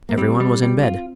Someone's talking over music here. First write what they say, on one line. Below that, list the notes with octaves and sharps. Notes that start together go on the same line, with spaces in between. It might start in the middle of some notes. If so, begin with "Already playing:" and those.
Everyone was in bed.
A#3
G3 C4
G3
G3
F4